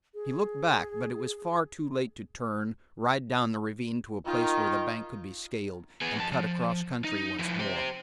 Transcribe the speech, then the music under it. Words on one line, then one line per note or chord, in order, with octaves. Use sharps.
He looked back, but it was far too late to turn, ride down the ravine to a place where the bank could be scaled, and cut across country once more.
G#4
D#3 D#4 F4
B3 G#4
F2 A5
F3
D#4
F3 E4
G4 C5